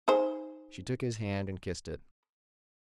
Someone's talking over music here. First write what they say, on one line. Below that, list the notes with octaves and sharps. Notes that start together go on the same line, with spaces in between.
She took his hand and kissed it.
D#4 G#4 C5